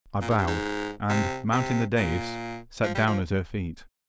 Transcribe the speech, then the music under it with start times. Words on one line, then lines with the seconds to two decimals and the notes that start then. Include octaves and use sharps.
I bowed, and, mounting the dais, sat down at her feet.
0.21 A#2
0.30 G#2
0.38 G2
0.47 G#2
1.09 C3
1.52 C3
1.97 A#2
2.83 F3
2.95 G3
3.07 F3